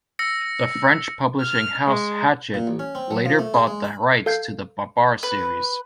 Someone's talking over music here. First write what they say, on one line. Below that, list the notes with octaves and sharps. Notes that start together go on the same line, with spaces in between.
The French publishing house Hachette later bought the rights to the Babar series.
E6 A#6 C#7
F6
G#3
A#2
A1
C#4
C4
F#3
F3
A3
G#4
G#3
B5
A4 F5 G6 G#6 C7
B4